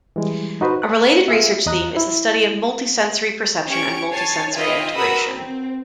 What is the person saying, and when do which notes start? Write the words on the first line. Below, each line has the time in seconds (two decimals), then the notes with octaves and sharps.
A related research theme is the study of multisensory perception and multisensory integration.
0.16 E3 G3 G#3
0.61 D#4 F#4 B4 C5
0.82 F#6
1.28 F4 G#4 E5
1.66 E2 D#5 A#5 F#6
1.96 E4
3.70 C#4 G4 C#6 D7
4.11 C#5 G#5 A5 A6 C7
4.53 F4 B4 D#5 E5 G5 G#5
4.95 F#4 A#4 B4 B5 D#6 E6
5.27 C4